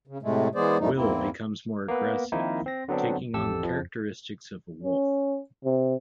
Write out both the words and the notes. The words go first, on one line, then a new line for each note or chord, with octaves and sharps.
Will becomes more aggressive, taking on the characteristics of a wolf.
C#3
A2 C3 G#3 A3
E3 G#3 B3 G#4 C5 D5
F#2 F3 G3 A3 D#4
E2 G#2 A#3 C4 E4
A#3 B3 B4
D#3 F3 A#3 C4 D#4 E4
C4 A#6
D3 F#3 B3 C4 D4
A1 F2 G4 A4 E6
F2 F3
C#4
C3